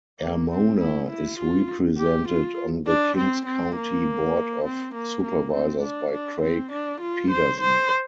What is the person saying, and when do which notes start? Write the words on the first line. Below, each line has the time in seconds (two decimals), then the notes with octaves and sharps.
Armona is represented on the Kings County Board of Supervisors by Craig Pedersen.
0.20 A#3
0.50 C4
0.80 E4
1.10 E4
1.39 F4
1.98 G4
2.28 F4
2.87 D4
3.17 C4
3.46 C4
3.76 A#3
4.65 C4
4.95 A#3
5.24 A#3
5.53 C4
5.83 D4
6.12 D4
6.42 C4
6.72 D4
7.01 F4
7.31 C5
7.61 C5